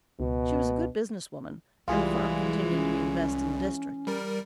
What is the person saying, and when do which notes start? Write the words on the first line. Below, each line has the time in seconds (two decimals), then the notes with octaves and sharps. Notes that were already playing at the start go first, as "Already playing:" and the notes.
She was a good business-woman, and the farm continued to be the best in the district.
0.20 C#2 B2
1.88 C2 E3 G3 G#3 F4 G#4
2.70 C#4
4.07 G3 A#4